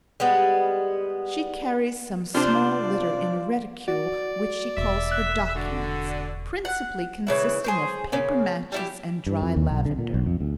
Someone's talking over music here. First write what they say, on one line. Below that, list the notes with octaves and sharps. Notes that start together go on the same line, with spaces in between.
She carries some small litter in a reticule which she calls her documents, principally consisting of paper matches and dry lavender.
G3 G#3 B3
C3 D4 F4 C5 D5
F#4 D5
E1 E5
F#6
D3 F#4
F#5
C#3 E3 E4
G#4 B4 C5
C#3 A#3
G3 E4 G4
G2
F2
D#2
B1
D3
A#2
B1
F2
D2